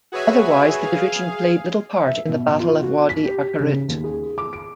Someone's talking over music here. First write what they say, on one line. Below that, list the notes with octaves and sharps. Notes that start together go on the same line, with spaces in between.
Otherwise the division played little part in the Battle of Wadi Akarit.
F#4 G#4 B4 C#5 E5 G#5
G#4 F5
E5
B2
B2
F4
F#4
B6
G4
C#3
D#2
G#4
D6
D7